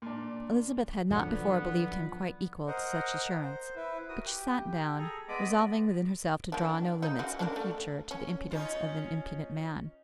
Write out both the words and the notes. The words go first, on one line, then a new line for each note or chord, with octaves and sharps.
Elizabeth had not before believed him quite equal to such assurance; but she sat down, resolving within herself to draw no limits in future to the impudence of an impudent man.
A#2 D4
D3 F3 F#3 B3 D4 F#5
A#4 C5 D#5 F#5
C5
E4 B4
F#4 A#4 D#6
G4
G#4 A4 A#5
G#3 B3 D5 D#5 B5 D6
D#3 D4
D#4
C#3 G#3 F#4
D4 E4 A#4
A3
C#4
C#4 D#4 F4